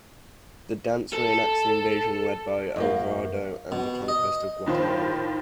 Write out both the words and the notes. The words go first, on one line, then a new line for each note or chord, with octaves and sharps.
The dance reenacts the invasion led by Alvarado and the conquest of Guatemala.
A4
F#2 A#3
B2
D#5
D#2 A2 D#3 F3 F4 C5